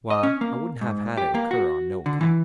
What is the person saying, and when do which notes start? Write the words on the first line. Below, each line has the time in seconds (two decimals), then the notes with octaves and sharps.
Why, I wouldn't have had it occur on no account.'
0.10 D#5
0.23 C#4
0.41 A#3
0.81 G#2
1.17 G4
1.35 A#3
1.51 F#4
2.06 D3
2.21 E3